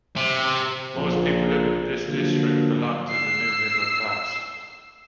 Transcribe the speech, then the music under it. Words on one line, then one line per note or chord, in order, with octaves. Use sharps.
Most people living in this district belong to the new middle class.
C3
A#1 A#2 F3 G#4
D3 F3 F#3 A#3
E6 C7